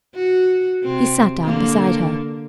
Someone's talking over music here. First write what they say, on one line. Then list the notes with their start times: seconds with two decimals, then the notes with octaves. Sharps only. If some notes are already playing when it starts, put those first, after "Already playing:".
He sat down beside her.
0.15 F#4
0.84 C3 C4
1.44 D3 A#3